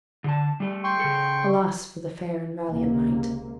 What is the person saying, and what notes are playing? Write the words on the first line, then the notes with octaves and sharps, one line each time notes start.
Alas, for the fair and valiant knight!
D3 A5
G3 A3
G5 C6 C#6
C#3 A4
C#2 C3 A#3